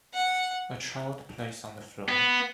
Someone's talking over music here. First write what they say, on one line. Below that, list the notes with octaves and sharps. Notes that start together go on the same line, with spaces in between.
A child plays on the floor.
F#5
B3